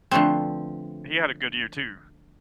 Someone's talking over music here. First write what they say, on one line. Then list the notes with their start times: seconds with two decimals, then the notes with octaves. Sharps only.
he had a good year too.
0.11 D3 F3 A3 B3 C4